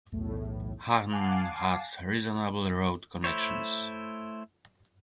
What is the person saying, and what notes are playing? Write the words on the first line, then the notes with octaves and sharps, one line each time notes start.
Hahn has reasonable road connections.
B1 E2 A2
F5 F#5 G#5 A5 D6 C7
A3 E4 C5 C#5